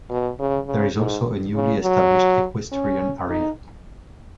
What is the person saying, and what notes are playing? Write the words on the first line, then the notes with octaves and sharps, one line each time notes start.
There is also a newly established equestrian area.
B2
C#3
C#3
G#2
C#3
F#3
C#4
D#4